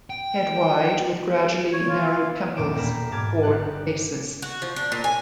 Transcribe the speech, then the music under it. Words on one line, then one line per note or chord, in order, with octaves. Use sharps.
Head wide with gradually narrowed temples toward bases.
G5
C#5
F4
D#1 A#2 G5 D6 D7 E7
E1 A#3 A#5 B5 E7
G#2 A5 D6 F6 G#6 A6
G1 G4 F#6
F#4
F3
D4
A#2
G#5